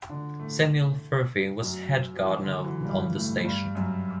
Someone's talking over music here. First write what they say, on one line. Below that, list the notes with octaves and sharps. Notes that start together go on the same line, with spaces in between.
Samuel Furphy was head gardener on the station.
D3 D4
A2 A3
F#2 F#3
F#3
E3
D3
F#3
E3
G2 G3
A2 A3
G2 G3
F#2 F#3